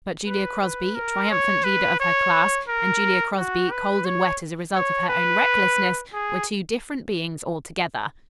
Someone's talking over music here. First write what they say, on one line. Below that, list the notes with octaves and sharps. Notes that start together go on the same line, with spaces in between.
But Julia Crosby, triumphant leader of her class, and Julia Crosby cold and wet as a result of her own recklessness, were two different beings altogether.
B4
B4
A#4
C#5
B4
C#5
A#4
F#4
B4
C#5
C#5
B4
G#4